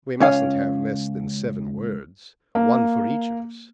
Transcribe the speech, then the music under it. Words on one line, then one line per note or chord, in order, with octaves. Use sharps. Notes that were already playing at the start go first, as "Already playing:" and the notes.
"We mustn't have less than seven words, one for each of us."
C#2 C#4 F5
A#3